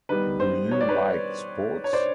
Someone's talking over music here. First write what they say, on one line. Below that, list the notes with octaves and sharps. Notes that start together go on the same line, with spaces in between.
Do you like sports?
D#3 G3 B3 B4
C5
C#5
D5
B4 C#5
C#5
C5 D5